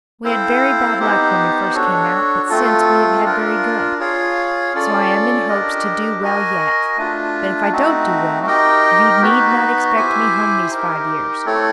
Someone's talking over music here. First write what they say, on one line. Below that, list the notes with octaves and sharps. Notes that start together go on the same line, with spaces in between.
We had very bad luck when we first came out, but since we have had very good; so I am in hopes to do well yet; but if I do n't do well, you need not expect me home these five years.
C4 E4 A4 C5 F5
B3 D#4 G4 C5
D4 F#4 A4 C#5
A3 C4 F4 A4
D4 F4 A#4
F4 G#4 C#5 F5
C#4 F4 A4 D5
D4 G4 A#4 D#5
F#4 A#4 D#5 G#5
A3 D4 F4
A3 C4 D#4 F#4
D#4 G4 A#4 D#5 G5
B3 D#4 F#4 B4
E4 G4 C5 E5 G#5
D#4 G4 A#4
A3 C4 E4 A4 C#5